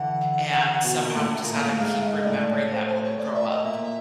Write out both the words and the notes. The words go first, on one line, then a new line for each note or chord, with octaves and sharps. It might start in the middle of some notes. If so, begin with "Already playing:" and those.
and somehow we just gotta keep remembering that when we grow up.
Already playing: D3 E3 F#5
B2
A#2
A2
A2
A#2
A2
G#2 F5
E5
D#5
A2 D5
D5
C#5
C5
C5
C#5
A2 D5
E5
D#5
A#2 E5